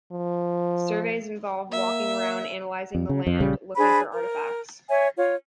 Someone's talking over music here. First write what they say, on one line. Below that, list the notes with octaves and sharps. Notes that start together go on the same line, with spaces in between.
Surveys involve walking around analyzing the land looking for artifacts.
F3
A#3 E5
F2
C#3
F2
A#1 C#3 G3
D4 G#4 C5 B5
A#4
C#5 E5 G#5
F4 C#5